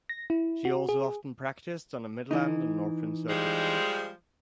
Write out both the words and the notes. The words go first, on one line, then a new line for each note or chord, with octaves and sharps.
She also often practised on the Midland and Northern Circuits.
A#6
E4
F#4
G#4
E3 D#4
F3 G3 G#3